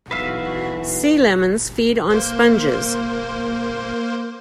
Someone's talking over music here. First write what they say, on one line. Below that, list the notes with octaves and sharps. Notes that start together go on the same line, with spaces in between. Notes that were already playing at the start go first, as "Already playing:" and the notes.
Sea lemons feed on sponges.
B1 E3 F#4 B4 E5 F5
A#3 C5